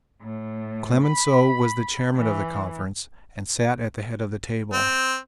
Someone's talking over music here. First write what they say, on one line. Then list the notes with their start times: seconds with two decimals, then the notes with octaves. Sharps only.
Clemenceau was the chairman of the conference and sat at the head of the table.
0.22 A2
1.05 B5
2.16 E3
4.73 C4